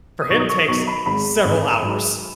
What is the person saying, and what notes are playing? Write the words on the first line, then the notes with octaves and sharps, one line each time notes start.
for him takes several hours.
D#6
B1 B2 F#3 D#4 C#6
D#6
C#6
B1 B2 F#3 D#4 C#6
B5
G#1 G#2 G#3 B5
G#1 G#2 G#3
G#2 F#3 D#4